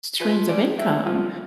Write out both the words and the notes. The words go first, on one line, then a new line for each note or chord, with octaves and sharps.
streams of income,
F3 B4
A2 D5
A2 E5
F3 F4